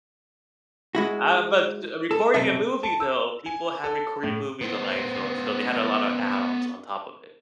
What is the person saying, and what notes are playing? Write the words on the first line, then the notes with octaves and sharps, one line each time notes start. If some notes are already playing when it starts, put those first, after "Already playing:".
I have a bunch uh Recording a movie though people have recorded movies on iPhones, though they had a lot of add ons on top of it.
G#3 E4 F#4
A4
B1 F#2 C3 A4 E5
A5
E6
G#5
A4
A2
B3 C5